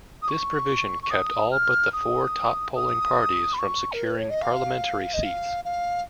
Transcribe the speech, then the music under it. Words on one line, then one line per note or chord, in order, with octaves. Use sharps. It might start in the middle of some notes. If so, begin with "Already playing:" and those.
This provision kept all but the four top-polling parties from securing parliamentary seats.
D#6
C#6
C#6
D#6
F6
D#6
D#6
B5
C#6
A#4
B4
C#5
D#5
F5
D#5
F5
F5